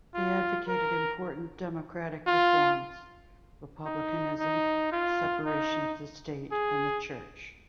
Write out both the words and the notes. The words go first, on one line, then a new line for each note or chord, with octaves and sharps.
They advocated important democratic reforms, republicanism, separation of the state and the church.
F4
A#4
F4
D#4
D#4
F4
D#4
G#4